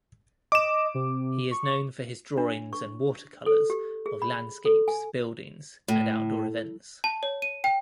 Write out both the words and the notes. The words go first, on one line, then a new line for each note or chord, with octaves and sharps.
He is known for his drawings and watercolours of landscapes, buildings and outdoor events.
D#5 D6 E7
C3
C#6
D4
C#6
A4
G4
G#4
B5
A4
G#5
A2
A5
C#5
D#7
G5